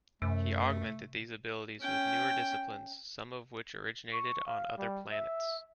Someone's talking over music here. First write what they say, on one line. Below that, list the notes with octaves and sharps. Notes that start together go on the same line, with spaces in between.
He augmented these abilities with newer disciplines, some of which originated on other planets.
F#2 C3 A3
C#4 G5
C#6
F5
G3
E5